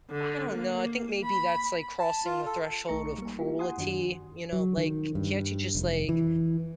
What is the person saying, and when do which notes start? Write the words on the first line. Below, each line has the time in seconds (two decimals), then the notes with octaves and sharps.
I don't know, I think maybe that's like crossing the threshold of cruelty, you know, like, can't you just like,
0.11 D3
0.52 A#3
1.25 B5
1.99 A5
2.25 F4
2.46 A4
2.87 B1 A3 D#4 A#5 C#6 C#7
3.18 G3 A#3
3.39 E4 F4 G4
3.59 F#5 G#5 C6 D#6
3.78 F#2 D#3 D4 F#4
4.53 F#3
4.77 D#3
5.15 G2
5.75 F1
6.09 E3